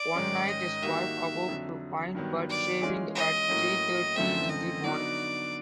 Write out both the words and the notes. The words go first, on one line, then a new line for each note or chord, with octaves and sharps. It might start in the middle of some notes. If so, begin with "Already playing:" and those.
One night, his wife awoke to find Budd shaving at three-thirty in the morning.
Already playing: D5
G#2 D#3 G#3 C#4
D#5
D#3 G3 A#3 D#4 F#4 E5
F2 D3 F#3
G2 D#3 F#3 B3
D5
E3 G#3 C#4 F4 G#4
D#5
A2 F#3 A#3 C#4
F#2 D3 F3 A3 C4 E5
D#5
D3 F#3 B3 D#4 F#4 D5